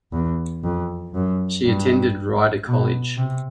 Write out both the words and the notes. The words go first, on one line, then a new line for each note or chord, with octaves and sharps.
She attended Rider College.
E2
F2
F#2
G2
B2
C3